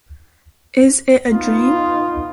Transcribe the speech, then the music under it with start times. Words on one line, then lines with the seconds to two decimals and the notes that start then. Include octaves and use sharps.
Is It a Dream?
1.30 B3 D#4 F4